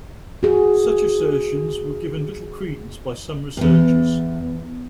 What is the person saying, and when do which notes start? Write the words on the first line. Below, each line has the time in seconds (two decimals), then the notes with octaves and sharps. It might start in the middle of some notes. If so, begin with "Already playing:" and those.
Such assertions were given little credence by some researchers.
0.43 F#4 G#4
3.57 E2 G2